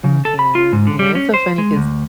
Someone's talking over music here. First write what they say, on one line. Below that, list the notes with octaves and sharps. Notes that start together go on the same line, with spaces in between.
Mm, yeah, yeah, it's so funny 'cause
C#3
A4
B5
F4
G#2
D3
G3
C#4
C5
G#3
D2